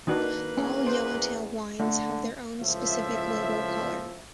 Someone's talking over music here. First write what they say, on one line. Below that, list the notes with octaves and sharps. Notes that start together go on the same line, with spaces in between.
All Yellow Tail wines have their own specific label color.
D#3 A#3 D4 F#4 B4
E2 C#4
C5
D3 A3
C#2 A2 F3 E5